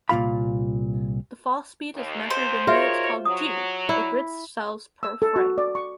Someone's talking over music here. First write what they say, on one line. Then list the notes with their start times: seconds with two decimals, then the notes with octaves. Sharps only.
The fall speed is measured in units called G, or grid cells per frame.
0.09 C2 A#2 F#3 F4 F5 B5
1.95 D#2
2.30 C5
2.67 D#3 F4 F#4 G#4 A#4 C#5 E5
3.25 F#3 D#6
3.89 E4
5.03 E6
5.22 A4
5.36 F#4
5.58 D5
5.75 C#6